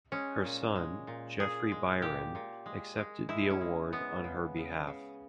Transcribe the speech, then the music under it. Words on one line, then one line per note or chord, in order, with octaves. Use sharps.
Her son, Jeffrey Byron, accepted the award on her behalf.
G#3 C#4
A#2
G#3
A#2
A#2 G#4
G#3
A#2 G4
A#2
G#3
G#3
G#3 E4
C#4
G#3
G#3 B3
C#3
C#3
C#3